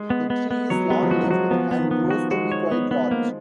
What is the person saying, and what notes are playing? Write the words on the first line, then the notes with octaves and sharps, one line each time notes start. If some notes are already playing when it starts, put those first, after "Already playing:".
The tree is long lived and grows to be quite large.
Already playing: G#3
B3
B3
B3
F#3 C#5
G#3 B3
F3
F#3 F#4
F#3
F3 F#4
F3 B3
B3
D#3
B3
F3
F#4
G#3 F#4
C#5
B3
B3
A#3